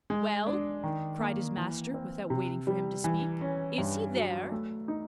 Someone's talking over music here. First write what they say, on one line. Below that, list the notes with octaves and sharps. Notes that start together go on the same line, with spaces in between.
"Well!" cried his master, without waiting for him to speak, "is he there?"
G#3
D4
D#3
A#3
E3
C4
C3
G3
E3
C#4
G2
F#3
A3
D#4